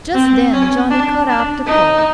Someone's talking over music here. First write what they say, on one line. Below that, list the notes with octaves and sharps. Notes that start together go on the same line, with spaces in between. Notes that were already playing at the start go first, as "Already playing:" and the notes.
Just then Johnnie caught up the pole.
C4
C#4
D4
D4
D#4